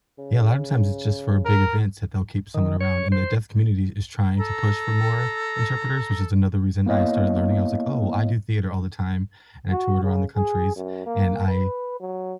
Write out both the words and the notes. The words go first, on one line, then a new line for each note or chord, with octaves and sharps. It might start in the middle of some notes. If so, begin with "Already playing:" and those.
Yeah. A lot of times, it's just for big events that they'll keep someone around, and the deaf community is trying to push for more interpreters, which is another reason I started learning. I was, like, "Oh, I do theater all the time," and I toured around the countries. And I
C#3
A#4
D#3
C#5
C5
A4 A#5
A#3 B3 E4 C#5 D#5 F5
F#4
C#3
G#4
F#2
A#3
B4
F#3